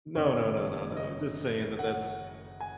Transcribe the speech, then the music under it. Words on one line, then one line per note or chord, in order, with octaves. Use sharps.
No, no, no, no, no, just saying that that's
F#1 F#2 D#3 C#5
D#5
F#5
G#5